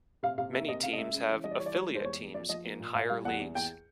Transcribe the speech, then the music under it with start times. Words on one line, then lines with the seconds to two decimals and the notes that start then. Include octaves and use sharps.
Many teams have affiliate teams in higher leagues.
0.23 C3 F5
0.38 C3 F5
0.53 A#3 E5
0.68 C3 D#5
0.83 C#3 F5
0.93 D#5
0.98 G#3 E5
1.13 C#3
1.29 E3
1.44 G3 D#5
1.51 D5
1.58 E3 C#5
1.66 D5
1.74 G3 C#5
1.89 G#2
1.95 C5
2.04 E2 C#5
2.19 E2
2.34 F3 D5
2.49 F3 D#5
2.65 A#3
2.80 A#2
2.95 A#2 F5
3.09 G3 F5
3.25 E2 F#5
3.40 E2
3.55 E2 G5